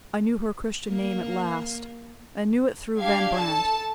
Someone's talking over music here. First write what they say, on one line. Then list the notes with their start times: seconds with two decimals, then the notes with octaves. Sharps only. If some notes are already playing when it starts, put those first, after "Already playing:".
I knew her Christian name at last, and knew it through Van Brandt.
0.90 A#3
2.98 D4 G4 F5 G#6
3.38 A4 A5